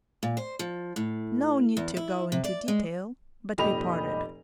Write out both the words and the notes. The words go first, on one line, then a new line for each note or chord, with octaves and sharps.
No need to go into detail, but we parted.
A#2
C5
F3
A2
E2
E4
C3
D5
G#3
F1 A#2 G4 D#5 B5 F7